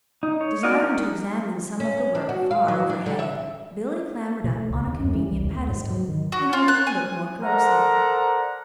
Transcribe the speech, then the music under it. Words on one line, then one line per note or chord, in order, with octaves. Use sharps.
Desiring to examine some of the work far overhead, Billie clambered up on a convenient pedestal in order to look more closely.
D#4
C#5
C#4 F#4 D5 D#5 F5
A#4 F#5
C#4
D4
F#4
F5
F#3
D4
D3
E5
B2
A3
C#2
D#2
F#2
E3
C2
D#2
A3
G#2
F#3
D#3
F#4
F4
F#6
G#5
A4 A#4 C5 D5 F#5 A#5